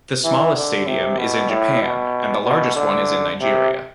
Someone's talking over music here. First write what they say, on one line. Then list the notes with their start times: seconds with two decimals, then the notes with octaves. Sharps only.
The smallest stadium is in Japan, and the largest one is in Nigeria.
0.24 E3
0.56 D3
0.87 C3
1.18 B2
1.50 A2
1.82 B2
2.44 B2
2.76 D3
3.40 C3